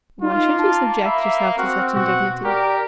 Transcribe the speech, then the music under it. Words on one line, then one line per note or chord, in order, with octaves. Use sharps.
"Why should you subject yourself to such indignity?"
A#3 D#4 F4
A5
E5 B5
C4 F#4 F6
B2 F#4
G4 A#4 D5